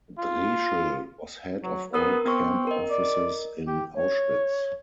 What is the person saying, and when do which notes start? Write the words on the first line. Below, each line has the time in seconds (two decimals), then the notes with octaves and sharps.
Dreschel was head of all camp offices in Auschwitz.
0.19 F4
1.63 F#3
1.93 B3 A#4 D#6 E6
2.25 B3 C4 C#6
2.67 A#4 D#5
2.91 D5
3.67 G4
3.95 C#5